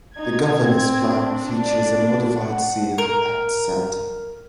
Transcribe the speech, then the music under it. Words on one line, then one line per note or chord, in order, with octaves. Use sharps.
The Governor's Flag features a modified seal at its center.
D#4 G#6
C4
D4
D5
F#5
A#4